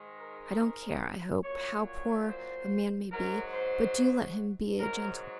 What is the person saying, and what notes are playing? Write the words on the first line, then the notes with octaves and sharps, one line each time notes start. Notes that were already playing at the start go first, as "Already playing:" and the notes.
I don't care, I hope, how poor a man may be, but do let him be a gentleman.
Already playing: G#2 D#3 G#3
A#4
A#2 F#3 C#5
C#5
C5
G#2 F#3 A#4
C5
G#2 F#3 A#4